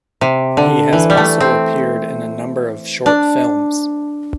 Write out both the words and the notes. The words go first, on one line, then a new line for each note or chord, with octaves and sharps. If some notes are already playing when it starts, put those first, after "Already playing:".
He has also appeared in a number of short films.
C3
D3
E3
G3
A3
C4
D4